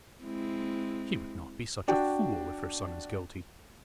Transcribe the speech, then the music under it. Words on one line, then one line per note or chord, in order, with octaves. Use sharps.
"She would not be such a fool, if her son is guilty."
G#3 C4 E4
D4 F#4 G5